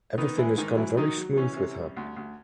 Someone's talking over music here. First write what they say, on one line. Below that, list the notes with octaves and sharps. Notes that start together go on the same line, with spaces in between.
Everything has gone very smooth with her.
D#3 B3 D#4
E3 G#3 E4
G#2 D#3 D#4
E3 F#3 E4
D#3 F#3 D#4
F#3
E3 C#4
C3
G3
D2
D2